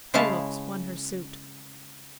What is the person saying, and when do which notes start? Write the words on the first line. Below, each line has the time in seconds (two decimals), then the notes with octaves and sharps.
Her looks won her suit.
0.14 C#3 G#3 E4 F5 A5